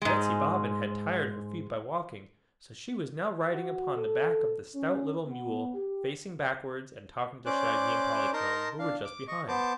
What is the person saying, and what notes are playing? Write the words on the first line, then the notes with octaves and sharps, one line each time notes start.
Betsy Bobbin had tired her feet by walking, so she was now riding upon the back of the stout little mule, facing backward and talking to Shaggy and Polychrome, who were just behind.
G#2 G#3
F#4
A4
C#4
B3
G4
C#4 C5 D5 D6 F#6
D#4 A#4 A5 A#5 C6
D4 F5
D6
D#5 C#6
B3 C5 A5 D6